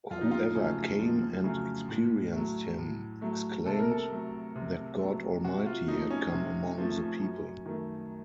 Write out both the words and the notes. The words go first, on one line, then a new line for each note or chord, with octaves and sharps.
Whoever came and experienced him exclaimed that God Almighty had come among the people.
F2 F4
D#4
F4
C#3 F#3 A3
F2
C#3 F#3 A3
A2
F#3 A3
A2
F#3 A3
C3 A4
A#4
A4
F#3 A3
C3
F#3 A3
C3 F#4
F4
F3 A3 D#4
C#4
C3
F3 A3
F#2
D#3 A3